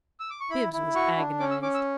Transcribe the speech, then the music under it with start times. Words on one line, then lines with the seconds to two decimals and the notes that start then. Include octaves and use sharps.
Bibbs was agonized.
0.20 E6
0.30 D6
0.40 C#6
0.50 E4 B5
0.73 E4
0.95 F#4 C#6
1.17 D4
1.40 C#4 D6
1.51 E6
1.62 C#4 D6
1.74 E6